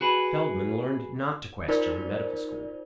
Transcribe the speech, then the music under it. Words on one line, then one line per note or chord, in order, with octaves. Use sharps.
Feldman learned not to question in medical school.
F#4 G#4 B4
D#4 F4 A#4 C5 D5